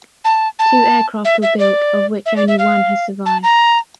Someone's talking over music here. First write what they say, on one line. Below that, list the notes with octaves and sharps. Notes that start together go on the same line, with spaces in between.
Two aircraft were built, of which only one has survived.
A5
A5
E5
E5
D5
E5
D5
E5
F5
A5
A#5